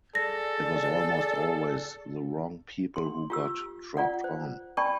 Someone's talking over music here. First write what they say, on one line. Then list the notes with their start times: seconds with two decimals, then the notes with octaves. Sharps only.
It was almost always the wrong people who got dropped on.
0.15 G#4 A4 D5 A#6
2.96 C6
3.30 F4 G4 E6
3.97 F4 D5 F#5
4.24 C5
4.77 D5 G5 A5 B5 C#6